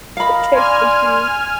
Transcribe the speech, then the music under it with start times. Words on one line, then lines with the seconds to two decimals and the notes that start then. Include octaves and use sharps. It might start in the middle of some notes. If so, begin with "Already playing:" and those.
take issue
0.17 A#4 D#5 F5 B5
0.53 D4 D5 G#5 C6 F6